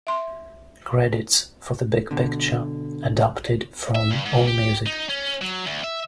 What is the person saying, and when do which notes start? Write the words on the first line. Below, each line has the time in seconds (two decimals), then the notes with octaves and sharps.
Credits for "The Big Picture" adapted from Allmusic.
0.07 E5 C6
2.11 B2 D3
3.95 E5
4.11 G2
4.26 G#2
4.47 G4
4.86 D#4
5.09 C#4
5.42 F#3
5.67 D2
5.84 E5